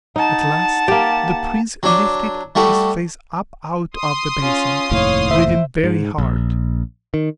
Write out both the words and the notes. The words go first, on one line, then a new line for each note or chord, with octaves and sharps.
At last the Prince lifted his face up out of the basin, breathing very hard.
D#4 F#5 A5
A#3 G4
F#3 D4
G3 A3 F#4
C6 D#6
C#4 F4
F1 D#2 A2 C#5 F5
C5 E5
G#2
A#1
D#3